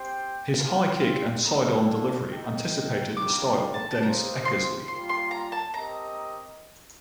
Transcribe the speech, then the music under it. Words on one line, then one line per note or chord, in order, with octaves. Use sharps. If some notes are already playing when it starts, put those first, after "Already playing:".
His high kick and sidearm delivery anticipated the style of Dennis Eckersley.
Already playing: C4 G4 C5 G5 C6
C4 F4 C5 F5
A#3 D4 A4 A#5
D#4 A4 D#5 G5
G3 A#3 D4 D6
A5
A5
D#4 G4 C5 F5 A#5
C6
G3 A#3 F4 C6
C6
A#5
A5
C4 G4 A#4 D#5 A#5